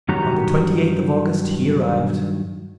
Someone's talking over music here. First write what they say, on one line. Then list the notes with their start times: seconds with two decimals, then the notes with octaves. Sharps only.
On the twenty-eighth of August he arrived.
0.08 G2 D#3 F#3 F#4 G4 A#5